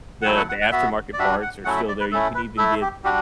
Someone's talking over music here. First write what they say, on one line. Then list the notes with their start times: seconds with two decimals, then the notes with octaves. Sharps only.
The the aftermarket parts are still there. You can even get
0.22 F#5
0.25 F#3 A3 E4 G5
0.37 F#5
0.49 F#5
0.61 F#5
0.72 B3 F#4 E5
1.13 D5
1.19 G3 D4 F#4 E5
1.42 F#5
1.65 F#3 A3 C#4 E4 F#5
1.77 E5
1.88 D5
2.00 B4
2.12 A3 C#4 E4 A4
2.35 B4
2.57 A3 E4 A4
2.82 G4
3.04 G3 D4 F#4 G4